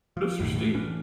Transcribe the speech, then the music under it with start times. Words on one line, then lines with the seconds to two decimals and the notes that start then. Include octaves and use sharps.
cliffs are steep.
0.17 F3
0.39 B1 F#2 A2 D#3
0.56 A2 E3
0.74 A1 E3 C#4 D4